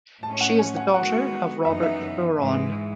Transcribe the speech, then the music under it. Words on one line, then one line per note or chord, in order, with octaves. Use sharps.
She is the daughter of Robert Buron.
A2 G#3 C#4 A5
F#5
G#5
F#5
D#3 G#3 B3 F#4 F#5
F#2 E3 B3 D#4 E5
E5
G#2 E3 G#3